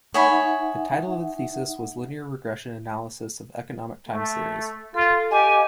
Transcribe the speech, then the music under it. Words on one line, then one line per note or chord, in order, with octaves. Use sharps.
The title of the thesis was "Linear regression analysis of economic time series".
D#4 C#5 E5 F#5 G#5 B5
A3
F4 A4
G4 D#5 F5 G#5 D6